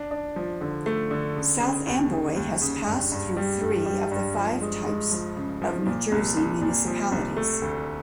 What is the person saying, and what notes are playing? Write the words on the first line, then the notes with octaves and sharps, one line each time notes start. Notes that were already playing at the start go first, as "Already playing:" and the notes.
South Amboy has passed through three of the five types of New Jersey municipalities.
Already playing: D4
D4
F3
D3
A3
D3
C#3
C#3
D#2
C#3
D#2
C#3
G2
G2
G3
G2
G3
G2
F3
G#3
G#3
F3
C#3
F3
A#2
C2
C2
A#2
F3
C2
A3
D2